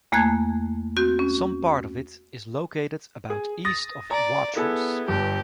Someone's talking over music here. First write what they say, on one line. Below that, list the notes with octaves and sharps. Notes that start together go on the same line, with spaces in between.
Some part of it is located about east of Watrous.
E2 A3 A#3 A5 F#6 G#6
C4 F#4 G6
C#4
G#4
D#6 A6 A#6
D5 A#5
B3 E4 G#4 A4
G1 G2 G4